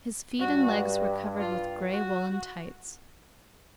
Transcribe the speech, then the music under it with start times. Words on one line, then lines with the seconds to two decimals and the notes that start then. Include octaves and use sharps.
His feet and legs were covered with gray woolen tights.
0.39 G2 F#4
1.40 F4
1.90 F#4